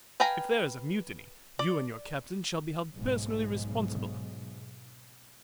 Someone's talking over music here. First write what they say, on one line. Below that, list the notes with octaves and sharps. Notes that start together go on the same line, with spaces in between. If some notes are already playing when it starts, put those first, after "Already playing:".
If there is a mutiny, you and your captains shall be held personally responsible.
B4 F5 G5 G#5 A#5
D5
B1 G#2